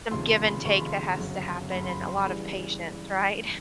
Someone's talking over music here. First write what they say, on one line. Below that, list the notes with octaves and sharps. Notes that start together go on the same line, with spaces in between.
some give and take that has to happen and a lot of patience, right?
F1 D#2 C#3 F3 C6
C6
B5
F1 D#2 C#3 F3 C#6
C6
B5
C6
G1 F#2 C#3 F#3
G1 F#2 C#3 F#3 B5
C6
B5
C6
C#3 E3 G3 B5